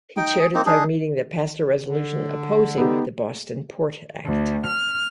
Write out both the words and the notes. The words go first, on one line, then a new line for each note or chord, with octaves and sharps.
He chaired a town meeting that passed a resolution opposing the Boston Port Act.
D#4 G5
G#4
A#3 C4 D#4
D4 D#4 G#4
D3
B3 D#4 G4
D2
F6